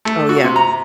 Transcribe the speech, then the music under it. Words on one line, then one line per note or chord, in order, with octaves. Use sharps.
Oh, yeah.
A3
F#4
C3
A#5